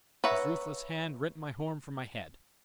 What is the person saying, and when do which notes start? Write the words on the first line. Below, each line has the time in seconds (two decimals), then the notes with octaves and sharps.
His ruthless hand rent my horn from my head.
0.24 B4 C#5 E5 F#5 A#5